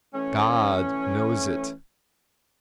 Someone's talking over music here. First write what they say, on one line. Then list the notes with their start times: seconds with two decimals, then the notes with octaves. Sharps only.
God knows it.
0.14 E3 A3 C#4